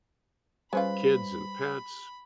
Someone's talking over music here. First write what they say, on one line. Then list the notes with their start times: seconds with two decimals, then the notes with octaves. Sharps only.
kids and pets,
0.73 G3 G#3 C#4 F4 B4 C5 B5